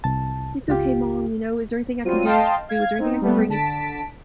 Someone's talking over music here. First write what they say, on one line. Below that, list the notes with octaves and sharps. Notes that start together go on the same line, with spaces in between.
"It's okay, mom, you know? Is there anything I can do? Is there anything I can bring you?"
C2 A5
C#2 F4 G4
F#3 G3 C4 F4 D#7
D#5 F5 G5 A5 C6
F5 G#6
C4 D#4
G3 A3 B3
D3 A5 B6 D7